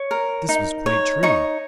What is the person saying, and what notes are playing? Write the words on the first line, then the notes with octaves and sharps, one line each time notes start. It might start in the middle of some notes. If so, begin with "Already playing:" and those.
This was quite true.
Already playing: C#5
A#4
D#4
C#5
D#4 C#6